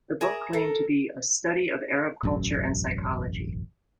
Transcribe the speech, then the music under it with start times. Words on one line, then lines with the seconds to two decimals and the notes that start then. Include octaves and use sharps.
The book claimed to be a "study of Arab culture and psychology".
0.21 G#4 A#4 E5
0.53 A4 A#4
2.23 E1 A1 F#2